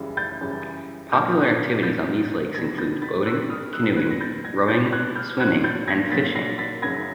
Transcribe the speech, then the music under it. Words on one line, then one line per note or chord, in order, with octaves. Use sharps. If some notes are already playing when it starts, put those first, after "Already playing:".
Popular activities on these lakes include boating, canoeing, rowing, swimming, and fishing.
Already playing: F#2 C#3 E3 G3
G6 A6
F#2 C#3 E3 G3
A#2 F#3 F6 G6
A#2 F#3 G6 A6
B2 G3 G#6 A#6
G6 A6
A6 B6
B2 G3 E6 F#6
D#6 F6
E6 F#6
B2 G3 F#6 G#6
A#6
G6 A6
G#6 A#6
B2 G3 G6 A6
F#6 G#6
F6 G6
A#2 F#3 F#6 G#6
G6 A6
G#6 A#6
A#2 F#3 A6 B6
A#6 C7
A6 B6
F#2 C#3 F#3 G#6 A#6